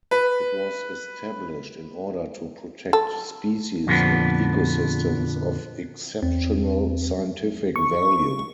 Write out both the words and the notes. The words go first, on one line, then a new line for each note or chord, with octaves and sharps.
It was established in order to protect species and ecosystems of exceptional scientific value.
B4
A4
F2 A#2 D3 D#3 F3 B3
E2 C4
C#6